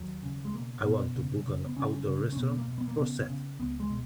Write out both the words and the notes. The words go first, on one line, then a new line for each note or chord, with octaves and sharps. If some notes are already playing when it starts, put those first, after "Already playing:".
I want to book an outdoor restaurant for Sat.
Already playing: D#2 F#3
C#3
G#3
B2 A#3
B2 B3
C#3
C#3
B3
C#3 C#4
C#3
C#4
B2 B3
B3
A#3
B2
B3
A#3
C#3 B3
C#3
C#2 B3
G#3
B2